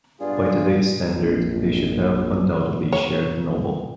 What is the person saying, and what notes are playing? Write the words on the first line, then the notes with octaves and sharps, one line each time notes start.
By today's standard, they should have undoubtedly shared the Nobel.
G2 B3 F4 G#4 D5
A#1
C#5